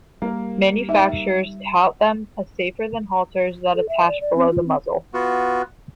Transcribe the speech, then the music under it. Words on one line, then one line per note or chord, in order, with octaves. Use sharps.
Manufacturers tout them as safer than halters that attach below the muzzle.
G3 A#3 A#4
D#4 E5
A4
E5
D5
D5
C4
F4
C4
B3 F4 F#4